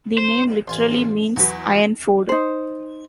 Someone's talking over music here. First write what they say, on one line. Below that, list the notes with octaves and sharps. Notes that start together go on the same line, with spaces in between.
The name literally means Iron Ford.
C5
A1 F4 G#5 C6
E2 F#3 F#4 B4
D#4 C5